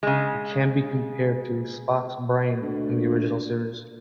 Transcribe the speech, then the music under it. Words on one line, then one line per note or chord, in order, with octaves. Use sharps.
It can be compared to "Spock's Brain" in The Original Series.
C#3 G#3
D2